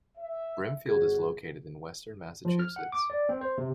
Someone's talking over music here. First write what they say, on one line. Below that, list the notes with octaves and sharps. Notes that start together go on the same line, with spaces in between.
Brimfield is located in Western Massachusetts.
E5
G1 F#4 G#4
F3
F6
F#5
D6
D5
C4
C5
C3